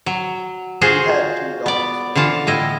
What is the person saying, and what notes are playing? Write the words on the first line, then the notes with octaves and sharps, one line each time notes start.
He had two daughters with her.
F#3
F4 F#4 G#4 C5
B3 D5
D3 E3 F4 A5
A2 E4 D#5